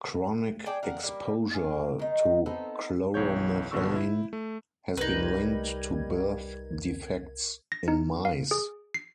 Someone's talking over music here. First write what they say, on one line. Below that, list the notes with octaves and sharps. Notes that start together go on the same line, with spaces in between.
Chronic exposure to chloromethane has been linked to birth defects in mice.
G#4 D5 G5 A5
A#4 F5 F#5
G3 A#3
G#4 F5
D#3 D#4
B3 C4 D#4 A4
B1 E3 C#5 G6
A#1 B2 D3 C#6 E6
E4
A3
C2 G3 D#4 A#4 B4 G#6
A#6
D#4
F5
G#4
C7